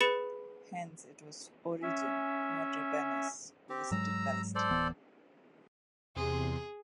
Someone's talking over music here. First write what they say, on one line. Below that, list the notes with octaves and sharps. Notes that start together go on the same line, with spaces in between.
Hence, it was Origen, not Rabanus, who visited Palestine.
G#4 B4 B5 A6 C#7 E7
C#4 E5
C4 G4
G#2 F#3 G#3 A#5 E6
A4 C5 D5
D1 E3 B3
E2 C3 G#4 C6